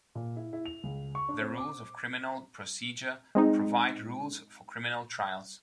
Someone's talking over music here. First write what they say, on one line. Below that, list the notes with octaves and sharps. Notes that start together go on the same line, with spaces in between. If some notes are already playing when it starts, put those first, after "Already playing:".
The rules of criminal procedure provide rules for criminal trials.
A#2
E4
E4
F7
C#2
C#6
D4
C4
D6
G#3 C4 D#4